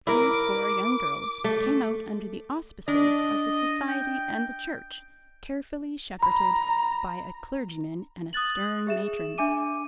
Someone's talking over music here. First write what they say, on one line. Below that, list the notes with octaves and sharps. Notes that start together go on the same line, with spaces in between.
Threescore young girls came out under the auspices of the society and the Church, carefully shepherded by a clergyman and a stern matron.
E4 A#4 D6
A3
D4 D#5
G5
A#5 B5
D#6 F#6 A6 F#7
G#4 E5 E7
D4 E5 G#5 D6 D#7